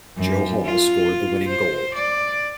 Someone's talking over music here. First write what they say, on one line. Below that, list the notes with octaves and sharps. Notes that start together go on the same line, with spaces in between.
Joe Hall scored the winning goal.
F#2
F4
C5
D5